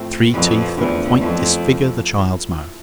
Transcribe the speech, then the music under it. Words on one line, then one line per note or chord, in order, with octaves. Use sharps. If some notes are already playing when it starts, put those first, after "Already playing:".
Three teeth that quite disfigure the child's mouth.
Already playing: A2 F3 A3 C4
F2 B2 B3 E4 B4 D5
E2 D3 A3 C4 F4
F2 F3 A3 E4 A4